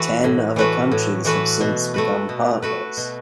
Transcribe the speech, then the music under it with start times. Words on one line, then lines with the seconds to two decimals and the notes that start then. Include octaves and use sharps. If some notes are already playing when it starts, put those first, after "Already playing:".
Ten other countries have since become partners.
Already playing: E3 A3 F#4 B4
0.24 A2
0.56 E3 A3 F#4 B4
0.91 A2
1.25 E3 A3 F#4 B4
1.60 B2
1.94 A3 F#4 B4
2.29 B2
2.62 A3 F#4 B4
2.97 B2